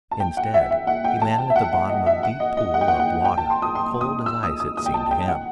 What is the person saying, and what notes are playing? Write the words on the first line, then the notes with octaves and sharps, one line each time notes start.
Instead he landed at the bottom of a deep pool of water cold as ice it seemed to him.
A5
G5
F#5
E5
E5
F#5
G5
A5
G5
E5
F#5
F#5
D#5
E5
F#5
D#5
D#5
F#5
G5
F#5
F#5
G5
A5
C6
D#6
C6
D#6
E6
D#6
D#6
D#6
G5
A5
G5
F#5